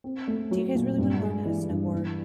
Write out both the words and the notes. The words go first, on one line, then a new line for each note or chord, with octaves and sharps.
do you guys really wanna learn how to snowboard?"
C4
A3
F#3
A#2
G2
G#3
E3
G2
E3